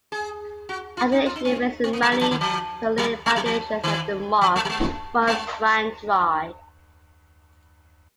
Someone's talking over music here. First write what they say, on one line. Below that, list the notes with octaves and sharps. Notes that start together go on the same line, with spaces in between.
After initially raising money to lay the foundations of the mosque, funds ran dry.
G#4
F#4
F4
D#4
F4
D#4
C4
C4
A#3
G#3
F#3
F3
D#3
F3
F#3
G#3
F#3
F3
D#3
F3
G#3
F#3
G#3
G#3